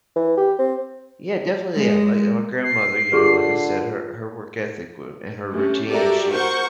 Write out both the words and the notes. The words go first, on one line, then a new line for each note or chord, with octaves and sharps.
Yeah definitely, yeah, like, my grandmother, you know, like I said, her her work ethic w and her routine, she
E3
G4
C4
G#3
C7
D3 F4 G4 G#4 B4 D6
C3 A3 C#4
F#4 G4 A4 A#4 D5 E5
A#4 C5 F#5 C#6 G6